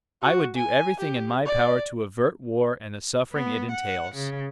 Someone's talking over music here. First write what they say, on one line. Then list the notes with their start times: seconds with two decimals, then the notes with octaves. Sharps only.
I would do everything in my power to avert war and the suffering it entails.
0.22 F#4
0.56 G#5
1.00 G4
1.46 D5
3.33 B3
3.71 F#5
4.15 C#3